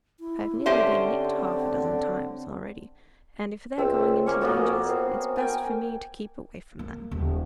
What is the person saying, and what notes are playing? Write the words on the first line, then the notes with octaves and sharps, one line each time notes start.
"I've nearly been nicked half a dozen times, already, and if they're going into dangers it's best for me to keep away from them."
E4
D3 C4 C#4 G4 C5 E5
C#2 C4 E5
A#3 C#4 C#6
F2 A#3 B3 F#4
C4
A#4 G5 G#5
A#3
D#1